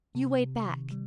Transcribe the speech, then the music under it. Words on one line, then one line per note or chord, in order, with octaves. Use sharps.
You wait back.
C3
C3
D#3
G3